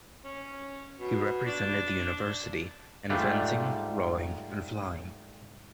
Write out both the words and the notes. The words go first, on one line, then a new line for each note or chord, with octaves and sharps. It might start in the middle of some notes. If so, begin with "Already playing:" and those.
He represented the university in fencing, rowing and flying.
C#4
B2
D4
G#2 G3 A3 D4 F4